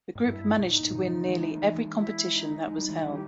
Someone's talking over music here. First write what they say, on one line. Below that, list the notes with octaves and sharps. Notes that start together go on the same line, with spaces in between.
The group managed to win nearly every competition that was held.
G#2
G2 E4
B2 D#4
A#2
G#2
G2 A#2
C#3 E3
E3 G#3
A#3
E3 G#3
E4
D#4
G#3 D#4
G3
E3 G#3
D#3 G3 E4
G4